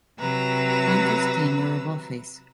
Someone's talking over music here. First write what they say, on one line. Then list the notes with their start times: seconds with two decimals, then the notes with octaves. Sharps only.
Quintus's tenure of office.
0.19 C3 F#3 B4 A#5 E6